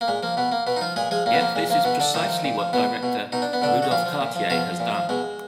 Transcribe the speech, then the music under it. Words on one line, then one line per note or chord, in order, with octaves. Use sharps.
Yet this is precisely what director Rudolph Cartier has done.
A#3
A#2 G#3
F3 A#3
B2 B3
A#3
B2 B3
D#4
F3 F4
A#2 G#3 G#4
F3 G#3 G#4
A#2 A#3
B3
F3 A#3
A#2 G#3
F3 A#3
B2 B3
D3 D4
A#2 D#3 D#4
F3
A#2
F3
B2 B3
B2
B2 D#4
D4
B3
B2 D3 D4
F#4
A#2 F3 F4
F3
A#2
F3
B2 F3 F4
A#2
F3
B2 G#3